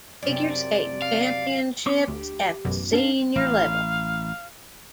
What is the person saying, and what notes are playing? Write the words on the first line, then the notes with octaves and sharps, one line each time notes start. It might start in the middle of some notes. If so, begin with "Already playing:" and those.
Figure Skating Championships at the senior level.
F#2 C3 D5
F5
C4 C#6 D6
D2 G4
A1 F#2 B2
D4 A#4 F5
A1 F5